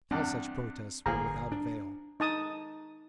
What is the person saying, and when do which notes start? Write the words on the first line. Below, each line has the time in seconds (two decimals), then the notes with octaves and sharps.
All such protests were without avail.
0.11 E2 G2 C4
1.06 G1 F3 A#3 G#4 A#5
1.52 D4
2.20 D#4 A5 D#6